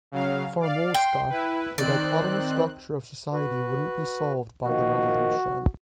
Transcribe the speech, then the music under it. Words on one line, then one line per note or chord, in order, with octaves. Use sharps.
For Mosca, the dichotomous structure of society wouldn't be solved by the revolution.
C#3 F#3 F5
D5 F5
G5 C6
E4 B4
D#3 C4 D5 F#6
F#4 B4
D#3 F3 A#3 F#4